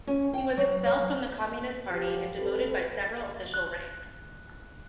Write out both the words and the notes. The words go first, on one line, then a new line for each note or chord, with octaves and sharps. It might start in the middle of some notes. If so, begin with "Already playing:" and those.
He was expelled from the Communist Party and demoted by several official ranks.
C#4
G5
F#3
F#3
F3 F#3 G4
C4 A4 B4
F#6